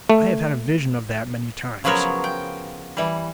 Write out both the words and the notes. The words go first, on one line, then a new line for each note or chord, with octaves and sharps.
I have had a vision of that many times.
A3
C#3 F3 F#3 B3 A#4 C#5
G5
E3 G3